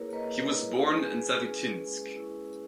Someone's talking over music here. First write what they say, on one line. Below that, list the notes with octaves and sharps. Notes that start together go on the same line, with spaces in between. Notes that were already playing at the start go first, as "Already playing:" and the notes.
He was born in Zavitinsk.
Already playing: A#3 E4 G#4 A#4 B4 C#5
A#3 B4 D#5
E4
G#3 G#4 B4
C#4 E4
G#3
C#4 E4